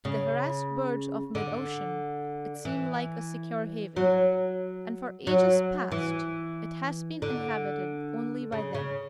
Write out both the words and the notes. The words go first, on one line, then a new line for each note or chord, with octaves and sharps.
To the harassed birds of mid-ocean, it seemed like a secure haven, and for ages past it has been inhabited only by them.
C#3
D3
E3
F#3
F#3
E3
D3
C#3
C#3